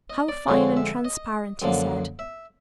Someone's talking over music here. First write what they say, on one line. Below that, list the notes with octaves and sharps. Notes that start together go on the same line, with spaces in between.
"How fine and transparent," he said.
D#5
D5
F2 D3 F3 G#3 C#5
E5
D#5
F#2 D3 F3 A#3
E5